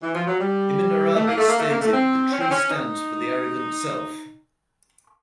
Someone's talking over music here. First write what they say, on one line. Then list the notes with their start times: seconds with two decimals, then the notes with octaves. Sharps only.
Ibn Arabi stated, the tree stands for the arrogant self.
0.03 E3
0.15 F3
0.27 F#3
0.40 G3
1.16 A3
1.27 A#3
1.38 A3
1.49 A#3
1.59 A3
1.70 A#3
1.81 A3
1.93 C4
2.32 C#4
2.41 C4
2.51 C#4
2.70 D#4